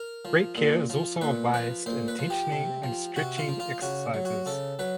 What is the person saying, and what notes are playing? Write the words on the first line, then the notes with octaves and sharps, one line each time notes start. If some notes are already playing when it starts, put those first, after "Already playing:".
Great care is also advised in tensioning and stretching exercises.
Already playing: A#4
F3
A#2
F3
A#2 B4
F3 B4
A#2 C5
B4
F3
G4
C3
F3
C3 F#4
F4
F3
F4
C#3 F#4
F#3
F#4
C#3 A4
F#3 B4